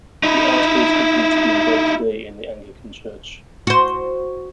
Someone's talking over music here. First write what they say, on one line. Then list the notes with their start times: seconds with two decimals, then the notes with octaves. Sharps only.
The Articles continue to be invoked today in the Anglican Church.
0.23 D#4 E4
3.67 F#4 C5